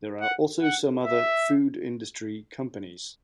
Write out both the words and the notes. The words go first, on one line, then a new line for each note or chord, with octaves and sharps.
There are also some other food industry companies.
F#5
F#5
E5